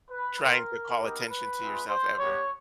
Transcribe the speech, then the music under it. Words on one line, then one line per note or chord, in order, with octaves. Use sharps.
trying to call attention to yourself ever?
B4
C4 F4 A#4
B3 D#4 G4
B4
G#3 C4 F4
C5
G3 B3 D4 G4 C#5